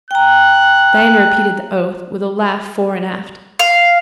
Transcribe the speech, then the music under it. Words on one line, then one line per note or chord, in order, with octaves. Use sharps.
Diana repeated the "oath" with a laugh fore and aft.
G5 A#5 F#6
F5